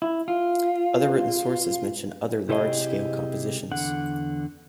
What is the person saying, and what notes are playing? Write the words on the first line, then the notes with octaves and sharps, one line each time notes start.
Other written sources mention other large-scale compositions.
E4
F4
C3 E4 G4 G#4 C5 D#5
E2 D3 F#5